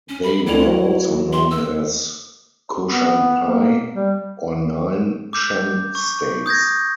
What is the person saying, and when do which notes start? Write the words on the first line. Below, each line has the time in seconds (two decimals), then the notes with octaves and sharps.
They were also known as "Koshanpye" or "Nine Shan States".
0.09 C#4
0.23 B5
0.46 D2 D4 E4 F7
0.66 F#3
1.33 C6
1.51 E6
2.89 B3
3.44 A#3
3.94 G3
5.33 D6 G6
5.95 C#6
6.46 D#6 G6 G#6 A#6